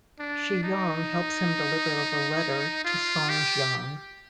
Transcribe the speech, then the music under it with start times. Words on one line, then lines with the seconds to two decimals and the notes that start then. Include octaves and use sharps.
Shi Yong helps him deliver the letter to Song Jiang.
0.19 D4
0.63 D#4
2.85 F4
3.29 G4